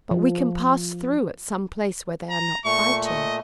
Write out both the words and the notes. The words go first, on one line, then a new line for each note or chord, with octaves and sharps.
"But we can pass through at some place where they are not fighting."
F3
A#5
A#2 A3 C#6
D#5